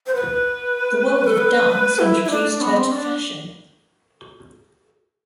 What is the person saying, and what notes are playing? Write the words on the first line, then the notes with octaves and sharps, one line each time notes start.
The world of dance introduced her to fashion.
C5
B4
A4
B4
E4
E4
D4
B3
C4
D4